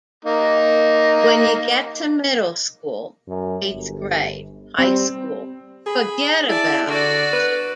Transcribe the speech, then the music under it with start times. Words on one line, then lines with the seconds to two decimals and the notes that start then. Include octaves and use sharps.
When you get to middle school, eighth grade, high school - forget about it.
0.25 A#3 D#4
3.28 F#2
3.73 G1
4.78 G3 C4
5.87 G#4 B5
6.49 E4 D5 A5
6.87 D3 F#4 D5
7.33 B4